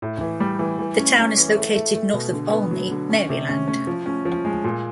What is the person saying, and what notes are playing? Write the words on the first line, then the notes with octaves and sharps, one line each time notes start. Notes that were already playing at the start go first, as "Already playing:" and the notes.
The town is located north of Olney, Maryland.
A2
E3
G3
E3
E3
C#4
C#4
E3
A3
A3
A3
B2
D3
B3
F#3
D3
C#4
C3
C#4
C#4
F3
C#4
F3
G#3
A#2